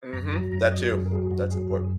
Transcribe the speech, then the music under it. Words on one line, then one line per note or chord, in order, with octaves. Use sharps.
Mhm. That too. That's important.
F#2 A#5
F#3 A#5
F#2 A#5
F#3 D#5
F#2 G#4
A#4
F#3 G#4
F#2 F#4
F#3 G#4
F#2 G#4